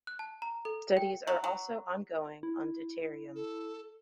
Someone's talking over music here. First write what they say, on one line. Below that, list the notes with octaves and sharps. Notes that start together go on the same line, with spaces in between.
Studies are also ongoing on deuterium.
F#6
A5
A#5
A4
G5
F#3
F#3
E4
A4